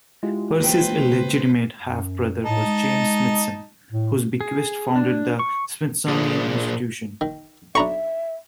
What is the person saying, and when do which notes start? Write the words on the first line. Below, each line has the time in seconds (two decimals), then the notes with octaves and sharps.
Percy's illegitimate half brother was James Smithson, whose bequest founded the Smithsonian Institution.
0.23 G#3 E4 F4 G4
0.60 A#3 B4 C5 G5
1.12 C#3
1.82 F#2
2.45 A2 D#4 A5
2.66 G#3
3.92 A2
4.41 G#4
4.95 D4
5.39 C#6
6.08 A#2 D4 F4 G#4
7.21 D#3
7.75 B1 D4 E5 A#5 B5 C#6